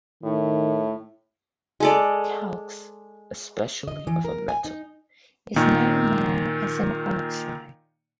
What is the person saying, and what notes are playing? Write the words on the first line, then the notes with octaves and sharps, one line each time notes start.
Calx, especially of a metal, is now known as an oxide.
A2 D#3
G#3 A4 D5
D#5
E3
A#4
G#5
D#4
A#2 D#3